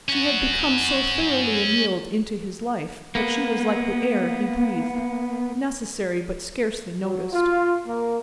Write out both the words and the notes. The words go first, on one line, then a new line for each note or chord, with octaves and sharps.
She had become so thoroughly annealed into his life that she was like the air he breathed--necessary but scarcely noticed.
C#4 F#4
A#3 B3
F#3
F4
A#3